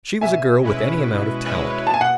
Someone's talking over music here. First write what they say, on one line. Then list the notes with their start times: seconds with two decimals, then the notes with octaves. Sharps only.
She was a girl with any amount of talent.
0.21 B2 E5 G#5
0.63 G#3 C#4 E4 B4
1.04 B2
1.45 G#3 C#4 E4 B4
1.86 B2 A5
1.94 G#5
2.01 F#5